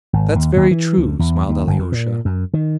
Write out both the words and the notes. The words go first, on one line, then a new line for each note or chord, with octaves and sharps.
"That's very true," smiled Alyosha.
G#1
D#2
D#2
E3
D2
E2
D#2
G1
F2
A#2
F#2
D#3